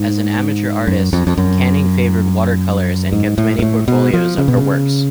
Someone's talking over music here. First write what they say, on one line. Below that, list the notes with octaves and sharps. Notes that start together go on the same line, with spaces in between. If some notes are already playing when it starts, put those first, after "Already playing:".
As an amateur artist, Canning favoured watercolours and kept many portfolios of her works.
Already playing: G#2
F#2
F2
F2
F#2
G#2
A2
G#2
A2
B2
F3
C#3
B2
C#3